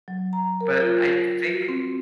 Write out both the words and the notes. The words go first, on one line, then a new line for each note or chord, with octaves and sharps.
but, I think"
F#3
A#5
A#4
F4
A#6
F#4
C4